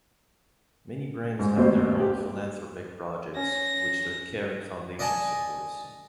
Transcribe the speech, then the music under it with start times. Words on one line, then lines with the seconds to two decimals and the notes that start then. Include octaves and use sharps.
Many brands have their own philanthropic projects, which the Kering Foundation supports.
1.39 G#2
1.56 A1 D#2 B2 C4 C5
2.00 G4
3.37 C#4 A#6
4.99 D5 D#5 F#5 G#5 A5